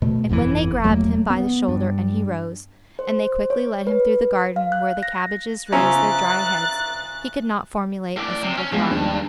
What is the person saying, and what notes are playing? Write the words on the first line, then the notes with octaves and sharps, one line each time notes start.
And when they grabbed him by the shoulder and he rose, and they quickly led him through the garden where the cabbages raised their dry heads, he could not formulate a single thought.
B2 A3
G1 F2 D3 E3
E1 F#3 A3 A#3
B3
G2
C5
C#5
B4
F5
F#6
A#6
C#3 F3 C#4 E5 A#5 F#6 A6
A2 D5
C3
C#4
G2 F3 G#3 B3
D#2 D4